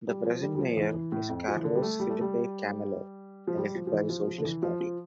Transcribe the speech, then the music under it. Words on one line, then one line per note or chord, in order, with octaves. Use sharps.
The present Mayor is Carlos Filipe Camelo, elected by the Socialist Party.
G3
F3
G3
G3
F3
E3
E3
A2
F2
F3
E3
D3
G3
A3
G3
A3
G3
F3
G3
F3
F3
E3
F3
F3
D3
E3
F3
F3